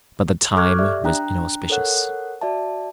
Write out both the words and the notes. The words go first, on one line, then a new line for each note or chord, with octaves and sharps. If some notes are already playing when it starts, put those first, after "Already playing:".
But the time was inauspicious.
A4 C#6 D6 F6 F#6 G#6
G4 D5 E5
D4 G5 A#5 F#6
A4 A#4 C#5 F#5 F#6
F#4 D5 E5 A5